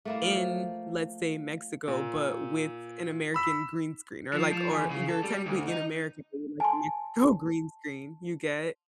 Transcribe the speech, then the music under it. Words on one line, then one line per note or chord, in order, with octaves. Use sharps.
in, let's say, Mexico, but with an American green screen, or, like, or you're technically in America, like, a Mexico green screen, you get?
A3 A#3 E4
F3
A#2
B5 E6 B6
F3
F3
E2
C#3
A4
G3
D2
D#4
G#5 A5 C6